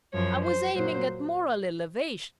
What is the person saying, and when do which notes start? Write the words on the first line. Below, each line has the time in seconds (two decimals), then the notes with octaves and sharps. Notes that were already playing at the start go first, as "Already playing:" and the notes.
I was aiming at moral elevation....
0.13 F#2 F3 C#5
0.44 C5
0.75 A#2 F#3 C5